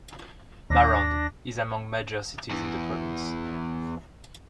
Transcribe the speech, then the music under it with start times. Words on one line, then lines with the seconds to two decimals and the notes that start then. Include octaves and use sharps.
Marand is among major cities in the province.
0.70 D#2 D4 A#6
2.51 E2 E3